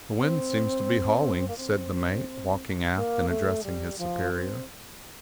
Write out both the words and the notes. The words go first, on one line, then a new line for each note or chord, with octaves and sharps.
"THE Wind seems to be hauling," said the mate, walking aft, and addressing his superior.
C4
A#3
C4
A#3
A3
G3
F3
C4